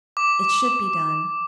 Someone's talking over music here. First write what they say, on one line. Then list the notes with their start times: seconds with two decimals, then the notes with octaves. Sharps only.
It should be done!
0.17 D6